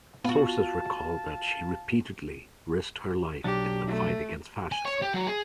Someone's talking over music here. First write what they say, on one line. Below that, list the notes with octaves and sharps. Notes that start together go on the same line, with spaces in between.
Sources recall that she repeatedly risked her life in the fight against fascism.
B3 F4 F#4 F5 A5
B1 F#3 D4 G4
A3
G#5
C#5
G4
F#3
G#4